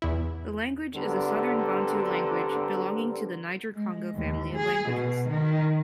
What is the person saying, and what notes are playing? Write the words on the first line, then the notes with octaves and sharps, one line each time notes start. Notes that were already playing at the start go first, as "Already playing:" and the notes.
The language is a Southern Bantu language belonging to the Niger-Congo family of languages.
E2 E4
D3 G3 B3 C4 A#4
G#3
D#2
G#4
B2
D#3